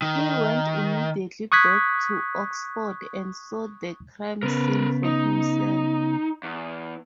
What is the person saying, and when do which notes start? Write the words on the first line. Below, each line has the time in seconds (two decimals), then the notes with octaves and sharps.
He went immediately back to Oxford and saw the crime scene for himself.
0.02 D#3
1.52 C#6 D#6 F#6 G#6 B6
4.43 C#3 B3 A#4 B4
5.04 D#4
6.43 E2